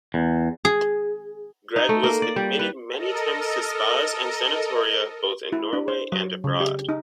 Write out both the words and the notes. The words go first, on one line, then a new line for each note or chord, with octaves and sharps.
Grieg was admitted many times to spas and sanatoria both in Norway and abroad.
E2
G#4
D#4
A3
A#3
D5
G3
B4
A4 A#4 D#5
E4
D4
C5
F#3
C#3
G4
D#4